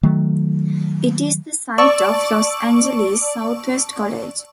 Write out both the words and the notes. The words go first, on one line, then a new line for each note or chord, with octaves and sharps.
It is the site of Los Angeles Southwest College.
D#3 F#3 A3
D5 A5 C#6 D6 E6